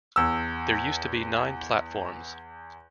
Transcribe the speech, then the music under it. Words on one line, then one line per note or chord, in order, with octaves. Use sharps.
There used to be nine platforms.
E2 E6